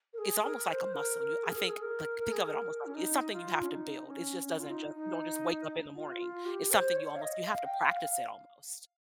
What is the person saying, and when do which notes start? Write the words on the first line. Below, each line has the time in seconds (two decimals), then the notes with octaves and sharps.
it's almost like a muscle, you I think, like think of it almost like It's something you have to build, it just doesn't just you don't just wake up in the morning, it's something you almost you have to practice it almost.
0.13 A#4
0.18 G#4
0.44 A#4
0.69 C5
0.94 A#4
1.19 A#4
1.44 G#4
1.55 A#4
1.67 G#4
1.82 A#4
2.19 A#4
2.32 G#4
2.45 A#4
2.85 C#4
2.95 D#4
3.33 F4
3.63 C#4
3.70 D#4
4.08 C#4
4.45 C#4
4.60 F4
4.70 D#4
4.95 D#4
5.96 F4
6.21 F4
6.46 G4
6.71 C5
6.96 C#5
7.16 F5
7.22 D#5
7.47 F5
7.65 G5
7.84 F5
8.03 F5